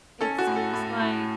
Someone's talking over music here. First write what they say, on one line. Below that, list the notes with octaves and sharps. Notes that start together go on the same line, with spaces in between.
it seems like
C#4 A4
F#4
A2
A4
A2
A2